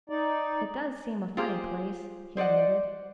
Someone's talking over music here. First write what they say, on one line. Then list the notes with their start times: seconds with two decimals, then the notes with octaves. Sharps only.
"It does seem a funny place," he admitted.
0.10 D#4 D5
1.37 F4 G4 G#4 C5
2.37 C5 D5 D#5 F#5